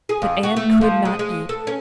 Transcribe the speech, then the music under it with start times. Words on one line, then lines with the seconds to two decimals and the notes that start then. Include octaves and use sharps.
But Anne could not eat.
0.09 G#4
0.22 F2
0.43 F#4
0.56 A3
0.81 F3
1.05 G#3
1.19 G#3
1.49 A4
1.67 C#4